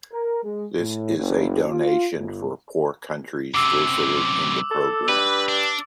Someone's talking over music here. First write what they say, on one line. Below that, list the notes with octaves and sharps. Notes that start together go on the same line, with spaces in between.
This is a donation for poor countries visited in the program.
A#4
G#3
A2
F#1
F4
G1
F#2 C3 D6 E6
A4
G2 B4
D4